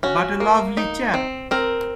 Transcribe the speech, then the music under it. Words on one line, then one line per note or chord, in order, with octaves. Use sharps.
But a lovely chap!
C#4 F#4
A#3
D#4
C4
C4 A#4